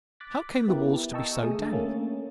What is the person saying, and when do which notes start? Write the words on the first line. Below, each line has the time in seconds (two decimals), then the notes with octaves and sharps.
How came the walls to be so damp?
0.20 D6 F#6 A6 B6
0.68 B3 E4 G4 A#4
1.13 D#5 G5 A5 A#5 C#6 E6
1.42 A3 G#4 D#6
1.59 D3 A6
1.73 A3 A#3 C#4